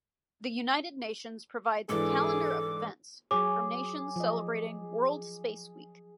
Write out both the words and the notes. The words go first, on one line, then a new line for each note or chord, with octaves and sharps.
The United Nations provides a Calendar of Events from nations celebrating World Space Week.
G#2 E3 D4 G#4 A4 D6
F#3 G#4 C#5 D6
F3 D#5